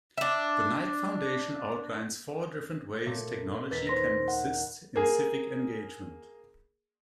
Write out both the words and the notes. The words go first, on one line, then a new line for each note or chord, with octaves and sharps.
The Knight Foundation outlines four different ways technology can assist in civic engagement.
D4 E5
A#2 A3
D#2 B4 A6 B6
C5 C6 A#6
F#5
A#3 G#4